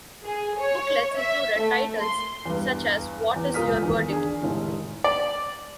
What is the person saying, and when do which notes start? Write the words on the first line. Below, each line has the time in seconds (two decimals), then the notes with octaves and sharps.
Booklets included titles such as What is Your Verdict?
0.25 G#4
0.58 C#5
1.16 E5
1.59 A3
1.99 C6
2.45 E2 G2
3.36 E2
3.54 C#2 F4 A#4 D#6 F6 B6
3.82 E2 D#3
4.09 D4 G#4
4.41 F1 C#2 A2 D#3
5.04 D5